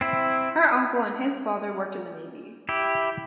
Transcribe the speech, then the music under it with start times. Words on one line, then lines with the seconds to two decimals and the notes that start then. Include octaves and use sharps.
Her uncle and his father worked in the Navy.
0.01 C4 E4
2.69 E4 G4